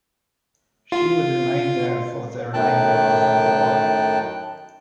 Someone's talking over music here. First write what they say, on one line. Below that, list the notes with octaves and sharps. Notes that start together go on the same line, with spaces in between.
She would remain there for the remainder of the war.
F4
F#2 A2 D#3 G5 A5 F#6